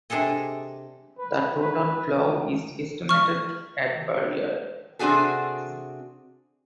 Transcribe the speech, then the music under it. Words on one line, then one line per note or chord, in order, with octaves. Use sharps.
The total flow is estimated at per year.
C3 D4 G#4 A4 D#5
B4
B4
C#6 F6
C3 C4 D4 F#4 G#4 A4